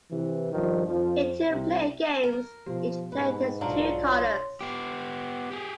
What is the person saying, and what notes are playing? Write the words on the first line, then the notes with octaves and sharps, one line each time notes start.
In two-player games, each player takes two colors.
C3 E3
G2 D#3 F3
F2 F3
C2 C3
A#4
B2 F3 G4
G#2 B4
B1 F#3 D4 F4 D5 A#5 F#7
C#5 C6
B3 G4
G4 G#4